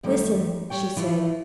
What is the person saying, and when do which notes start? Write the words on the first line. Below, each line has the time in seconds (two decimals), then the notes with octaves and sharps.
"Listen," she said.
0.03 F#2 D#3 G3 A3
0.70 G3 C#5 G5
0.97 E3 F3 E4 F4